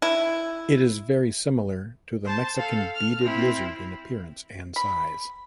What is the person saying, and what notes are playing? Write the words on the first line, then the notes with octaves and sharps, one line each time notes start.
It is very similar to the Mexican beaded lizard in appearance and size.
E4
C5 A5
A4 F5
F6
C4 E4
B5